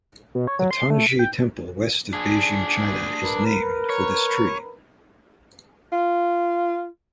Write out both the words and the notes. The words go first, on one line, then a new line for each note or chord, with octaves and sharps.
The Tanzhe Temple west of Beijing, China is named for this tree.
B2
C#5
F#3
C6
A3
B6
G5
D4 G#4
A#4 B4
C#5
F4